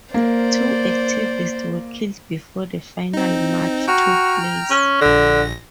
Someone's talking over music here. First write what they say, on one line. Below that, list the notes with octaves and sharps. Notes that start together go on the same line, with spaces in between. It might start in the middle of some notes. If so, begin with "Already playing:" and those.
Two activists were killed before the final march took place.
A#3 C5 D5
C4 D#4
F#4 G5 A#5 F6
C#4
A#1 D3 A#6